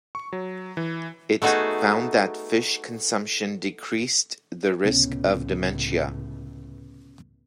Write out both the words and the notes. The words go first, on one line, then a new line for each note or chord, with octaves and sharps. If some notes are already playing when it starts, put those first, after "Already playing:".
It found that fish consumption decreased the risk of dementia.
C#6
F#3
E3
A3 B3 D#4 F#4 G#4
C#2 A2 C3 B3 C#4